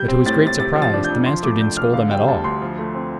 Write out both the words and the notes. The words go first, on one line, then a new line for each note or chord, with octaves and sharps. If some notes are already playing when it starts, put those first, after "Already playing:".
But to his great surprise the master didn't scold at all.
Already playing: G3 G6
C4
A2 A6
A2 A6
C3 A6
F3
A6
D4
G6
F2
F3 C6
A3 D6
D4 G6
F2 F6
D3 F5
G3 G5
D2 A5
D2 C6
F3
A3
C4